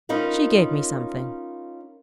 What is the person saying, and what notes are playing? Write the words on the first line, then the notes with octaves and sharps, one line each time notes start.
She gave me something.'
C#4 D#4 F4 A#4 B4